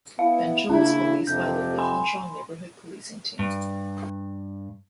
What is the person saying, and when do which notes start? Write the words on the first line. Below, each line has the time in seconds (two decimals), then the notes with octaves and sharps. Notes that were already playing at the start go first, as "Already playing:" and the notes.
Benchill is policed by the Wythenshawe Neighbourhood Policing Team.
0.19 B3 E4 F5
0.70 C#3 A#3 C#4 D4 E4
1.27 F2 C3 G6
1.78 G#5 B5 C6
3.39 G2